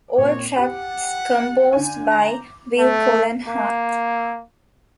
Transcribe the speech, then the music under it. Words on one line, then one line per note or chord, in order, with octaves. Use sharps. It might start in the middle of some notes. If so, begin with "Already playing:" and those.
All tracks composed by Will Cullen Hart.
A#2 C4 C#5
G4 F#5
D3 G#5
A#5
A3
A#3